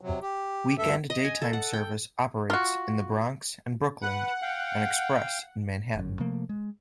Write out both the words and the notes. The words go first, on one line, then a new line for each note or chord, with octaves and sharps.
Weekend daytime service operates in the Bronx and Brooklyn and express in Manhattan.
C3 F#3
G4
D2 G2 A4 E5
D#5
G#5
A4
F#5
G5
F4 F#4
B4 F#5
F5 G5
G1 F#2
C3 F3 A3 A#3
G#3